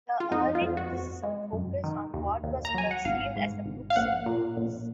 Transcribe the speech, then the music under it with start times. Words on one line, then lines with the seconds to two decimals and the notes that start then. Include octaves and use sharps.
The early criticism focused on what was perceived as the book's crudeness.
0.20 F4
0.31 F2 D#4
0.55 F4
0.61 F2
0.77 F#4
0.92 F2
1.23 G#3
1.52 F#2
1.84 D#3
2.14 D#2
2.44 D#2
2.65 A#5
2.74 F#3 G#5
2.91 F#5
3.05 G#1 F5
3.36 G#2
3.66 G#1
3.90 F5
3.96 A#1 F#5
4.26 A#2
4.57 A#1